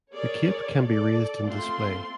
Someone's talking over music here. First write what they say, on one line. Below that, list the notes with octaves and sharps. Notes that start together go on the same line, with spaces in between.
The "cape" can be raised in display.
G#4 A#4 C#5 D5
A4 D5
A3 C4 F4 C6